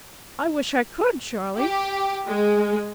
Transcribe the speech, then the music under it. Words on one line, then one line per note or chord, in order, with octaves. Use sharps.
'I wish I could, Charley!
G4
G#3